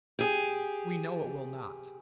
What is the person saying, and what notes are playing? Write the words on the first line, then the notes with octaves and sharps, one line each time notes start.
We know it will not.
G4 G#4